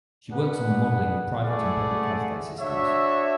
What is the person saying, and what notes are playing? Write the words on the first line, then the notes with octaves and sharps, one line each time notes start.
She works on the modelling of private and public healthcare systems.
D4 G#4 B4 F#5
A3 E4 G#4 D5 F#5
D4 F#4 C#5 E5